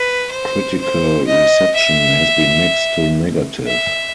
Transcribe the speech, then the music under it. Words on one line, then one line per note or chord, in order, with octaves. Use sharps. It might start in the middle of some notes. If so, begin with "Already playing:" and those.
Critical reception has been mixed to negative.
Already playing: B4
C5
C5
D#5
E5
E5